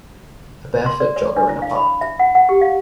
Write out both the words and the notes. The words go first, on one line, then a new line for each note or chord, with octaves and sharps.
A barefoot jogger in a park.
C6
D5
C#5
D4
E4
F5
B5
E5
F#5
F#5
G4
F5